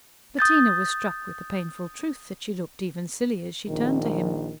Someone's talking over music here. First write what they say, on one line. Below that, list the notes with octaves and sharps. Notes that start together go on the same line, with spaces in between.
Bettina was struck with the painful truth that she looked even silly as she turned to him.
D#6 G6 A6
A#1 D#3